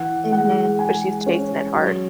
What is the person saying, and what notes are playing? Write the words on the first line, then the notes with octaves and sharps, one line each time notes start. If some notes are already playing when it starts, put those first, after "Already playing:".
Mhm, but she's chasing it hard.
Already playing: E3 F#5
G#3 F#5
G#3 G#5
C#4
F#3